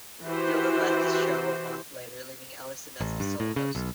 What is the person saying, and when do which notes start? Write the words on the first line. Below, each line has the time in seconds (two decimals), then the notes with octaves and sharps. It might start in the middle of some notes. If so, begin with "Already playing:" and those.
Gilden left the show a month later, leaving Ellison as the sole host.
0.24 E3 F#4 G4 C5
3.00 A1
3.20 G2
3.40 A2
3.56 C#3
3.75 B1